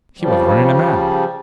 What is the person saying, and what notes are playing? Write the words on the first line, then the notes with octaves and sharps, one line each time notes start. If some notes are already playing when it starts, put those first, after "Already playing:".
He was running a man!
C#3 F3 G3